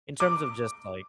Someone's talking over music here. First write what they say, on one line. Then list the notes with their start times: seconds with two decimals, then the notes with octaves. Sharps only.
in terms of just like
0.20 D6